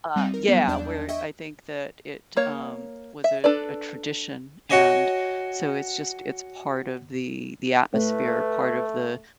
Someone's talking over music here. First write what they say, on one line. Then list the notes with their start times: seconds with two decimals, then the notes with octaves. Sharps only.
uh, yeah, where I think that it, um, was a a tradition, and, so, it's just it's part of the the atmosphere, part of the
0.16 G3 C4 D#4
0.34 A#4
0.48 F#3 G3 B3
0.67 E2 D4 D5 A5 G6
1.09 D#5 E5 G5 C#6 G#6
2.37 A#3 C#5
3.24 E5
3.44 D4 A4 B4 D5
4.70 F#4 C#5 D#5 G#5
7.94 A2 A3 B4